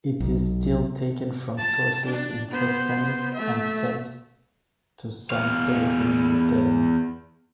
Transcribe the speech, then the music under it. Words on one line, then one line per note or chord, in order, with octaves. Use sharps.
It is still taken from sources in Tuscany and sent to San Pellegrino Terme.
B1
A5
D4
B3 C5
A3 E5
E2 F5